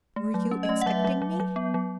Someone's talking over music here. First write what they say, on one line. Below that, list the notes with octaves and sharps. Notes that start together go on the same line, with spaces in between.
"Were you expecting me?"
A3
F#3
C#4
D#5
A3
F#5
F#3 E5
F#3
F#3
F#3
B3
F#3